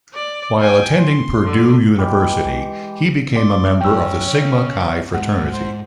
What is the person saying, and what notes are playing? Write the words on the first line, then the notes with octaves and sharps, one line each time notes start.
While attending Purdue University, he became a member of the Sigma Chi fraternity.
D5
G5 G#5
C6
D3
E3 G#3 G4
D5 C6
F#2 C#4 G5 E6
C#3 C#5
G#2 F#5
C5